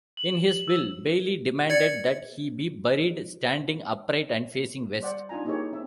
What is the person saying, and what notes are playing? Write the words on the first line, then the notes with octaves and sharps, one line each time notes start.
In his will, Bailey demanded that he be buried standing upright and facing west.
F#7
E7
F#7
E6
D5 G#6 C#7
G3 C5 D5 F#5
D4 D#4 F4 G#5 A#5
A#3 D#4 E4 G4 G#4 C#5
C4 E5